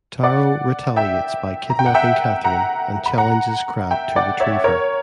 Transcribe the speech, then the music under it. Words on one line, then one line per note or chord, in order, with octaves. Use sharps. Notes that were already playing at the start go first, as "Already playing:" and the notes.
Taro retaliates by kidnapping Catherine and challenges Crab to retrieve her.
D5 F#5
E5 G5
A#5
G5
F#5
E5 G5
F#5 A#5
B5
F#5 A#5
E5 G5
D5 F#5
C#5 E5
A#4 C#5